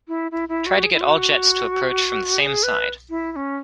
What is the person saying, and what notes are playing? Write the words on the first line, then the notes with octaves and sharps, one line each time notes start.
Try to get all jets to approach from the same side.
E4
E4
E4
F#4
G#4
E4
F#4
G#4
B4
E4
E4
C#4